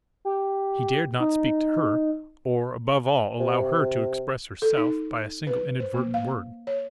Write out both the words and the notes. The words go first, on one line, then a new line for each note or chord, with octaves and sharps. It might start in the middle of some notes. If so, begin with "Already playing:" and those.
He dared not speak to her, or, above all, allow her to expose herself by a single inadvertent word.
G4
D#4
C3
A4
D#4
B4
C5
A#3
F5
C#5